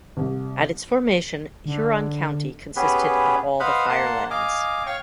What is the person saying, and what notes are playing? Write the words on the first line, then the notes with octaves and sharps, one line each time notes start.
At its formation, Huron County consisted of all the Firelands.
C2
D3
B3 C#4 G4 G#4 B4
B4 C5 D#5 F5 F#5 B5
A#3 F#5 A5 C6
D#5 F5 G#5 D6
C#5 F5 G5 C#6